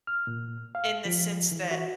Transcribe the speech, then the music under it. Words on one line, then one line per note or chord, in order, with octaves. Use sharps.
in the sense that
F6
A#2
F5
F3
E3
F#4